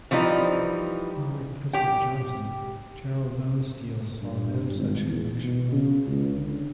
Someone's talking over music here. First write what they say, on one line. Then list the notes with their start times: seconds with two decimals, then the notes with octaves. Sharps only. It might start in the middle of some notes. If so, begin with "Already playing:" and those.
Unlike President Johnson, General Bonesteel saw no such connection.
0.11 E3 F3 G3 D#4
1.73 G4 G5
4.22 G2
4.74 G#1
5.06 E2
5.43 B2
5.72 C#3
6.07 C#2
6.36 D3